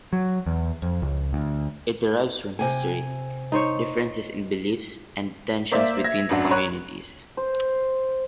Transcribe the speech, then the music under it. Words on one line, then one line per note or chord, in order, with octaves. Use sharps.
It derives from history, differences in beliefs, and tensions between the communities.
F#3
E2
F2
C#2
D2
C3 G5 G#5
D#4 C5 C#5
A#3 C5 D5 E5
E5 G#6 A#6
A1 F#2 D4 F#4
C#5 A#5 B5 F#6
C5